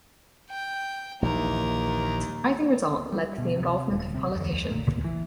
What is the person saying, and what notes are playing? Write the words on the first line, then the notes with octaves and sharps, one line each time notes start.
The surprising result led to the involvement of politicians.
G5
A#1 D#2 E3 A#4
G3
B2
C3
D#1
C3
F2
A#2
E3